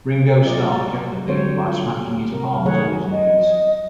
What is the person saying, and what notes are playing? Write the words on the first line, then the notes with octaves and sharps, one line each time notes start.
Ringo Starr kept the beat by smacking his palms on his knees.
F#3 F4 D5 D#5
D3 F#3 G3 C4 C5 C#5
F4
C3 A#4
D#3 F#3 A3 G#4 C#5 F#5
D#5